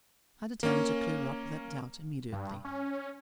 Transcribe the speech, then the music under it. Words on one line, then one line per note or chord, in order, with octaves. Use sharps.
I determined to clear up that doubt immediately.
A#3 C#4
G2
C#4